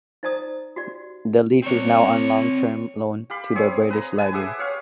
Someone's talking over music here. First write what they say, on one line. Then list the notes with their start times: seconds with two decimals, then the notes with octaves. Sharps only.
The leaf is now on long-term loan to the British Library.
0.23 D#4 C5 D5 A5 A#5 D#6
0.76 F#4 G4 D5
1.63 C4 C#5 D5
3.30 G4 F5 B5
3.55 C4 G#4 C#5
3.90 B4 A#5
4.18 B4 G#5 A5
4.33 G4 G#4 E5 F#5
4.59 C#5 F5 C#6